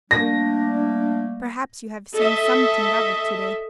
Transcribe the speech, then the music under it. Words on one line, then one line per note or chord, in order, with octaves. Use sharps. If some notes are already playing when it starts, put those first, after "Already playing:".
Perhaps you have seen something of it to-day.'
G3 A3 A#3 D4 A#6
A4 D#5 E5